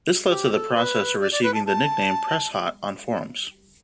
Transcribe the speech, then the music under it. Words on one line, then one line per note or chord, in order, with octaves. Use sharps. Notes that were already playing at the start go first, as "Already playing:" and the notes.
This led to the processor receiving the nickname "PresHot" on forums.
G4
A4
B4
D5
D5
B4
A5
A5